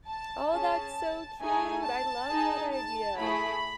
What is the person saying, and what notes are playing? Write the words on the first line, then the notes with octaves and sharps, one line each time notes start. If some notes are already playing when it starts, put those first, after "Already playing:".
Oh, that's so cute, I love that idea.
A5
C#4 G#4 A5
A3 D#4 G#4 G#5
A5
D#4 G#4
A5
A3 E4 G#4 B5